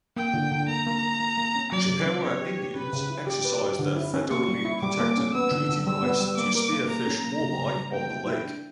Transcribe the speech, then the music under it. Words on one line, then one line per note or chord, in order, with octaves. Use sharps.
Chippewa Indians exercise their federally protected treaty rights to spearfish walleye on the lake.
A#3 G5
D3
D3
A#3 A#5
A#3
A#3
A#3
A#3
C#4
F#3 D5
C#3
C#4
B3 C#5
G4
G4
C#4 B4
C#3
E4
G4 D5
B4
G4
D3
E4
C#4
A#3 C#6
G3
E4
G3 D6
A#3
C#4
B3 E6
D3
D3
G3 E6
B3
G3
A#3 D6
A#4
A#3
A#3 A#5
C#4
A#3
C#3
C#3
G3
A#3 G5
E4
E4
D4